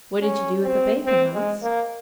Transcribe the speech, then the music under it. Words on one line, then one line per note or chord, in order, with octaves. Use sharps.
'What did you do with the bacon, Hans?'
C#4
C4
C4
G#3
A#3